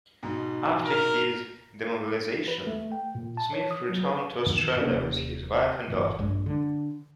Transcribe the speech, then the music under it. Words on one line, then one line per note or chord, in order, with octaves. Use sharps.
After his demobilisation, Smith returned to Australia with his wife and daughter.
G#2 B2
A#4
B4
A3
G5
A#2
A5
C#5
D#6
F#3
B4
F#2 A#2 D#3 B3
D#1 C3 A#3 C#4
G1 A#2 E3
A#1 G2 G#3
D3